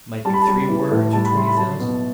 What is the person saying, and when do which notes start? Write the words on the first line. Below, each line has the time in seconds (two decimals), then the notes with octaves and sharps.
It might be three words or twenty thousand.
0.25 G3 A5
0.33 B5
0.42 A5
0.47 G3
0.69 E3
0.92 A2
1.13 G3 A5
1.25 B5
1.35 G3 C6
1.47 B5
1.57 F#3 A5
1.80 B2